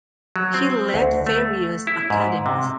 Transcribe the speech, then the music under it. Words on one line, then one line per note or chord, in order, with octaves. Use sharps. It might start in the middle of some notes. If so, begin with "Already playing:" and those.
He led various academies.
F#3
C4
D2
A3
E4
G#2
C3